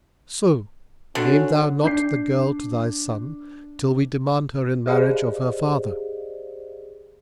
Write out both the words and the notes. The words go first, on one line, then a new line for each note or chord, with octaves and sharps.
So name thou not the girl to thy son, till we demand her in marriage of her father.
D3 C#4 F#4
D4 G6 C7
G4 G#4 C5 D5 D#5 F5